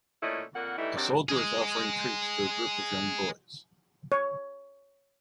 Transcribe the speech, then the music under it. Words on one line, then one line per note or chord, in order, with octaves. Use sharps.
A soldier is offering treats to a group of young boys.
A#2 A3 C#4 E4 D#5
F2 A#2 A#3 F#5
E3 G3 A3 D#4 E4
C3 D#3 F#3 D4 D5
G#4 D#5
C#5